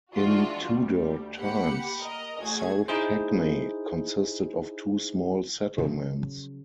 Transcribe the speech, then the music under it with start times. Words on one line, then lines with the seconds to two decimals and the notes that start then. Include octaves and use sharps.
In Tudor times, South Hackney consisted of two small settlements.
0.14 E3 G#3 D4 F4 F#4
0.65 D2 G3
1.36 A#3 G4 F#5 B5 C#7
1.99 A#4 D#5
2.41 A1 A3 F#4 G#4 G#6
2.88 D#4 E4 G#4 C5
5.78 C#3 F3 F#3